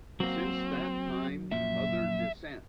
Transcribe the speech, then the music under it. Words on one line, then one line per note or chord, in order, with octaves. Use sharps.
Since that time other Dissent!
F#3 A#3 C4 F#4
F#2 A#2 F3 E5